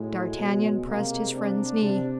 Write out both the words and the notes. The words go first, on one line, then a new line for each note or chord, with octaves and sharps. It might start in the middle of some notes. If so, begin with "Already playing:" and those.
D'Artagnan pressed his friend's knee.
Already playing: A2 F#3 G#3
B2
C3 G#3 A#3
C4 D4
C3 C4 D4